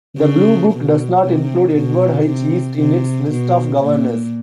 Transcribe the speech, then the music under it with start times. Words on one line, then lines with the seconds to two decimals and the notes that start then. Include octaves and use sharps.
The "Blue Book" does not include Edward H. East in its list of governors.
0.19 C#3
0.71 B2
1.23 C3
1.75 B2
2.27 C3
2.78 C3
3.31 B2
3.83 A#2